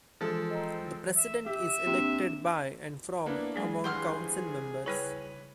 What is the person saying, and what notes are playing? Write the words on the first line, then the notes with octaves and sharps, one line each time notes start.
The President is elected by and from among Council members.
E3 F3 G#3 A4
C4 D#5 A#5
E5
G4 E5
C3 A#3 D4
A#3 B3 D4 E4
F#3 G#3 G#4
G2 E3 G3 G#4 C5 F#5 F6
C#3 G3 E4 B4 C#5